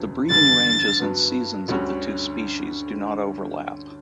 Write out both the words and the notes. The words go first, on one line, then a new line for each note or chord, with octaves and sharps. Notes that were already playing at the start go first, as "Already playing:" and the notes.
The breeding ranges and seasons of the two species do not overlap.
Already playing: E1 D2 C#3 F#3 B3
F#1 E2 D3 G3 A6
G2 F#3 B3
D2 D3 G3 C#4 F#4